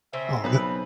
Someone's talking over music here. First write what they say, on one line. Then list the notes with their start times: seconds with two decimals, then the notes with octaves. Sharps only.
Oh, th
0.13 C#3 C4 E5
0.44 B1 G3 B3 E4 B4